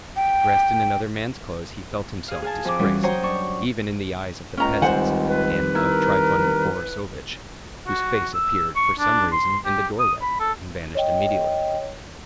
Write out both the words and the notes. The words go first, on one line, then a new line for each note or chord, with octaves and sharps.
Dressed in another man's clothes he felt himself disgraced, even in the eyes of the peasants, and of Trifon Borissovitch, whose face appeared, for some reason, in the doorway, and vanished immediately.
G5
G#4 F5
G#4 F5 G#5 A5
F2 G#4 D6
E3 G3 C#4 F4 F#4
F#3 C5 C#5 D#5 G5 A#5
D4 C#6
C#2 C#4 A#5
D#3 G3 C4 C5 F#5 G#5
B4
E4 A#4
F#4
E6
C#6
D4
C6
G4
D#6
B5
A4
C#5 D#5 G5